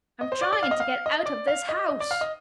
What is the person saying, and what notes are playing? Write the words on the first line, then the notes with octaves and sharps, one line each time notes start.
"I'm trying to get out of this house!"
D#5
C5
D5
D5
F5
D#5
F5
D#5
D5
F5
D#5
D#5
D5
F5
D#5